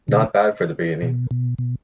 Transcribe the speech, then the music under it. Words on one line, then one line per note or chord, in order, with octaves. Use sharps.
Not bad for the beginning.
B2 D3
B2
B2
B2